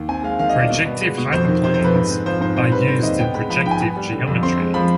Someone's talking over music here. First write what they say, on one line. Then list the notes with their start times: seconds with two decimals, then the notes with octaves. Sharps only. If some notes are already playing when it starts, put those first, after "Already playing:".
Projective hyperplanes, are used in projective geometry.
Already playing: D#2
0.08 C4 G#5
0.24 G#3 F5
0.39 D#3 F5
0.49 D#5
0.55 G2 D5
0.70 B2 D5
0.86 B3
1.01 G#3
1.18 B2
1.32 F2 C5
1.48 D#3
1.64 C3 C5
1.74 C5
1.79 F2
1.84 B4
1.94 G#2
2.10 C4
2.26 F3 C5
2.41 G#2 C5
2.56 C4 C5
2.72 G3 B4
2.88 D3 C5
3.03 D#2 D#5
3.19 B3 G5
3.34 G#3 B5
3.49 F3 B5
3.61 B5
3.66 G#2 G5
3.71 G#5
3.81 B3 B5
3.97 G3
4.13 D3
4.27 F2
4.43 C4 C6
4.59 G#3
4.74 F3 B5